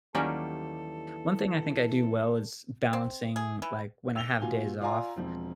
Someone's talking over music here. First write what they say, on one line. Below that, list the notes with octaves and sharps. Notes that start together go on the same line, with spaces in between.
One thing I think I do well is, balancing, like, when I have days off,
D#2 E3 F#3 G3 C#4 A4 A#4 D5
C4
G#4
E3
E6 F7 G7
A#2 F4 F#4 G#5
F4 D5 F5 G#5 A#5 C6
E1 F3 C4